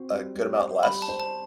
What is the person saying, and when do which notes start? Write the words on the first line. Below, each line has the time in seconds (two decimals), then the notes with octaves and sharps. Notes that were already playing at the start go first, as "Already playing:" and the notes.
a good amount less
Already playing: C4 F#4 C5
0.11 G3
0.35 G3
0.59 C5
0.83 G3 B5
1.02 A5
1.08 C5
1.20 A5